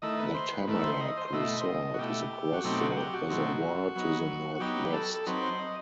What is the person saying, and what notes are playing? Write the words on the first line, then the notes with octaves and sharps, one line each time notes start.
The Tamarack Resort is across the reservoir to the northwest.
D#3 A3 E4 D#5
B4
C5
B4
D#3 A3 E4 B4
C5
D#5
C5
C5
B2 A3 E4 D#5
C5
D#5
F#4
B2 A3 E4 G4
F#4
B2 F#3 A3 C4 D#4 G4
F#4
F#4
G4
F#4
B2 F#3 A3 C4 D#4
F#3 B3 D#4
F#4
F#3 B3 D#4 G4
B4
A4
A4
F#3 C4 D#4 B4
C5
D#5